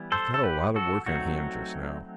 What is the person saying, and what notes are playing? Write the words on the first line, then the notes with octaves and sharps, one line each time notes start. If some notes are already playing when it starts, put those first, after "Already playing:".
I've got a lot of work on hand just now.
Already playing: E3 G3 B3 E4
A4 C5
A4
G4 B4
F#4 A4
F#3 A3 C4 D#4 F#4